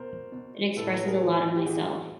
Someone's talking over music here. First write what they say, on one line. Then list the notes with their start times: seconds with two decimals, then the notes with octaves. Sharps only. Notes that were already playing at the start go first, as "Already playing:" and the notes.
It expresses a lot of myself.
Already playing: B2 A#4 C5
0.32 B2
0.77 A2 A4 B4
1.07 G#4 A#4
1.21 E3
1.56 G4
1.66 E3 F#4 G#4